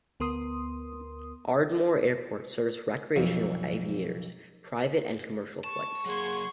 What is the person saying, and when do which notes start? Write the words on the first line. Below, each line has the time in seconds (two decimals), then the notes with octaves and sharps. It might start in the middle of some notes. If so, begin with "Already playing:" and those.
Ardmore Airport serves recreational aviators, private and commercial flights.
0.20 D2 B3 A#4 C6 D#6
3.16 B1 F2
5.64 A5 C#6
6.05 F#3 A#3 G#4 F#5 C6 G#6